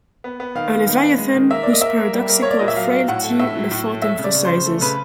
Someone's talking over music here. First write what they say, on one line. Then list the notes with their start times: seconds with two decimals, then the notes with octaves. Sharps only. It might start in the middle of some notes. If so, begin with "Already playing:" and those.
A Leviathan whose paradoxical frailty Lefort emphasises.
0.24 B3
0.40 B3
0.55 D#3 F5
0.71 B3
0.87 D#3
1.03 B3
1.18 G#3
1.34 D#3
1.50 A#3 E5
1.63 A#3 D5
1.73 D#5
1.81 A#3 E5
1.97 A#3
2.13 G3
2.29 A#3
2.42 A#3 C#5
2.51 D5
2.59 A#2 D#5
2.68 E5
2.76 F#3 F5
2.92 F#3
3.08 A2 F#5
3.24 A3
3.39 A2 E5
3.55 F#3
3.71 A2
3.87 A3
4.02 A3 E5
4.19 C#3
4.24 D5
4.35 C#3
4.45 C5
4.50 C#3
4.66 A3
4.81 C#3 B4